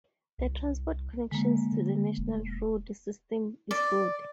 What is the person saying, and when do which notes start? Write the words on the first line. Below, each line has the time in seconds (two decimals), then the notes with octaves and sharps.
The transport connections to the national road system is good.
0.38 C2
1.31 D3 G#3 A#3
1.72 D3
2.17 E1
3.71 D5